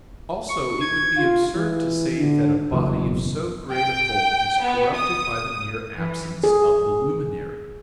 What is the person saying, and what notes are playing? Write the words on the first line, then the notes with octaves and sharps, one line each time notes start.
Also it would be absurd to say that a body of so great a bulk is corrupted by the mere absence of the luminary.
C#6
G#6
F4
E3
D3
F#1 E2 B2
G5
B3
D#6
E3
G#4